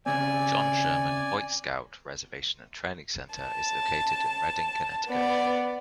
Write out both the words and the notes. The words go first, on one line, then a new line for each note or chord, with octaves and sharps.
John Sherman Hoyt Scout Reservation and Training Center is located in Redding, Connecticut.
C#3 C4 D5 G#5
A5
B3 D5